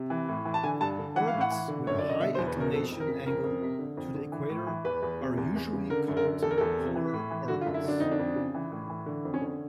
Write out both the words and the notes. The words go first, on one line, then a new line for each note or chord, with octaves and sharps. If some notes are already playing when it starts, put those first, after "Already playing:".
Orbits with a high inclination angle to the equator are usually called polar orbits.
Already playing: C3
E3
A2
E3
A5
D3 G#5
G2 A5
D3
E3 F#5
F5
A2
F#5
E3
D3
F#2 C#5
D3 D5
D#5
B2 E5
C5
E2
B4
B2 A#4
F2 A4
F2
A#4
C#3
F2 A#4
F2
C3
D3
F2
D3
E3
A2
E3
E2 B4
E2
C3
E2
E2
C#3
D3 A#4
F#2
A#4
D3
E2 A4
A#4
E2 A4
C3
E3
A2
E3
D3 F#4
F4
F#2
E4
D3 D4
F2 D#4
D4
F2
C#3
E3
A2
E3
D3
F2
C#4
D3